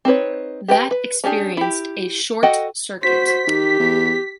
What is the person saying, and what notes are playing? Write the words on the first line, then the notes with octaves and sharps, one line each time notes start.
That experienced a short-circuit.
C4 D#4 B4 C#5
G4 B4 G5
B4
C#4 D4 G4 G#4
E4 G4
F#4 A4 D#5 F#5 G5
F#4 C5 B6
D#3 G4
E2